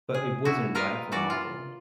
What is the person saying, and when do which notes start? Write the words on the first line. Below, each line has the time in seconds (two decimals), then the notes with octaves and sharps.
But it wasn't right for Marvel.
0.14 G#4
0.45 E4 F#4
0.75 F4 A#4 B4 D#5 F5
1.12 E3 F#4 D5
1.30 F4